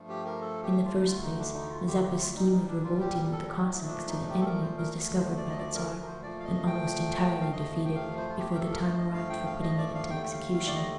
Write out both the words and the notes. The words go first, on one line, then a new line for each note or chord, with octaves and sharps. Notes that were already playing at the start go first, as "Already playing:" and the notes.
In the first place, Mazeppa's scheme of revolting with the Cossacks to the enemy was discovered by the Czar, and almost entirely defeated, before the time arrived for putting it into execution.
Already playing: G2 F3 A3
G4
A#4
A4
G4
F4
D#4
D2 D3 A3 F4
D#4
D4
D#4
F4
G4
G4
F4
A#2 G3 D#4
D#4
D4
F4
G4
A4
G4
A#2 F3 A3 D#4
D4
D#4
G4
A4
A#4
C5
A#4
D2 D3 F3 A3
C5
D5
D#5
D5
A#4
A#4
A#4
C5
A#2 F3 A3 D5
F5
D#5
G5
F5
F2 C3 F3 A3 D#5
G5
F5
C5
F4
G4
A#4
A4
A#4
G2 F3 A3 C5
D#5
F5
G5
F5
D#5
D5
F5
D#2 D3 A3 G5
G5
F5
F5
D5
D#5